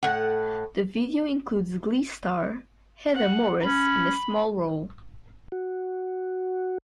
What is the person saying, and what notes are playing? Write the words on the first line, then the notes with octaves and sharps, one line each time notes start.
The video includes "Glee" star Heather Morris in a small role.
A2 F#5
F#5
C#4 B5
F#4